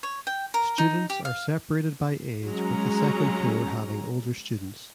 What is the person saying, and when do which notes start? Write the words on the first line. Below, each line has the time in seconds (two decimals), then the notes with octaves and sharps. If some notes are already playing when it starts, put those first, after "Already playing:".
Students are separated by age with the second floor having older students.
0.03 C#5
0.27 G5
0.54 A#4
0.78 D#4
1.10 G4
1.25 F5
2.45 F#3 G#3 C#4 A#5